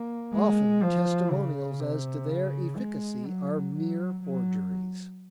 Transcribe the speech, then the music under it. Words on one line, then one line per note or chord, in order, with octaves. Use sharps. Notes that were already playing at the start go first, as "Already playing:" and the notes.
Often testimonials as to their efficacy are mere forgeries.
Already playing: A#3
G#3
F3
C#3
C3
C#3
G#3
F#3
F#3
F#3